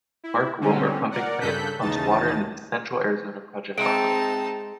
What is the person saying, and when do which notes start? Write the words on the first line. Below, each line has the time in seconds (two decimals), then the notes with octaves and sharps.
Mark Wilmer Pumping Plant pumps water into the Central Arizona Project Aqueduct.
0.24 E4
0.61 D3 G3 C4 C#4
1.11 A#4 D5 F#5
1.41 G2 C#3 A4 F#6 G6 B6
1.81 D#2 C#3 E3 D#4 A5 A6
3.78 G#3 C4 D#4 E5 A5 D7